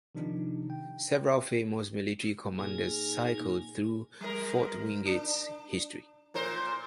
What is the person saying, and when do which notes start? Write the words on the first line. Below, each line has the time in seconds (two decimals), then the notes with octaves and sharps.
Several famous military commanders cycled through Fort Wingate's history.
0.15 C3 D#3 F3 D4 D#4
0.70 G5
2.59 A#2 A#3 D#4 G#4 G#5
4.21 G3 A#4
5.05 D4
6.34 A#2 A#4 C5